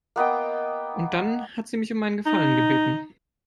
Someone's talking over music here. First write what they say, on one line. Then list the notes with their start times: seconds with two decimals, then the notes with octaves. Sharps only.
Und dann hat sie mich um einen Gefallen gebeten.
0.16 A#3 B3 D#5 G5
2.26 D#4